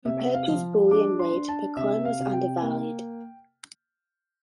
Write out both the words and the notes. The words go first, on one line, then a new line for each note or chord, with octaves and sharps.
Compared to its bullion weight, the coin was undervalued.
C3 E5
F5
F3
D4 D6
C6
D4
A5
C3 E5
F5
C3
G5
A#3